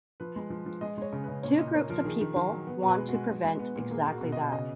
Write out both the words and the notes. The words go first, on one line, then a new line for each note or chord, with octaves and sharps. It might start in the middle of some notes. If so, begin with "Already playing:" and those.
Two groups of people want to prevent exactly that.
F3 B4
G#3
F3
F3
G#3 D#5
G#3 C#5
C#3
C#3 B4
A#2 C#5
A#2 D#5
A#3 C#5
F3 A#4
D#3 G#4
D#3
D#3
F#3
B3
B2
B4
G#3
F#4
G#3
G#3
G#3
B3
A#2
A#3 G#4
A#3
F#4
B2
B2 D#5
C#3 D#5